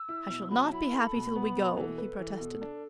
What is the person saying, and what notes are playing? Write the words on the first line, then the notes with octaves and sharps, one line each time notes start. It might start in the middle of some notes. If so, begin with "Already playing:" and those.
"I shall not be happy till we go!" he protested.
Already playing: E6
E4
B2
F#3 B5
A5
E4 B5
A4
B2
B3
B2
E3 A4
B4
E3
B2
D4